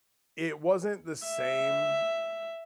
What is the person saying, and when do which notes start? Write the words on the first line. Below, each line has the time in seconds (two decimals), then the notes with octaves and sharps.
it wasn't the same,
1.27 E5